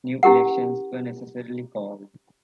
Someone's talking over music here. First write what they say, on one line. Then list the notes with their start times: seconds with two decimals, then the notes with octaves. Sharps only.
New elections were necessarily called.
0.23 C#4 E4 G4 A#4 F#5